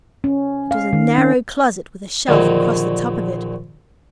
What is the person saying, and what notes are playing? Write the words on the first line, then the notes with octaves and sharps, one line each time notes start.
It was a narrow closet, with a shelf across the top of it.
C#4
F5
D#3
C#4
A#1 A#2 D3 D#3 F#3 G#5